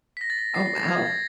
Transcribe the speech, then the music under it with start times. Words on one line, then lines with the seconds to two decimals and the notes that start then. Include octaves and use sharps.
Oh, wow.
0.17 B6
0.21 A#6
0.30 A6
0.38 A#6
0.55 C7
0.66 A#6
0.77 A6
0.88 G#6
0.97 A6
1.06 A#6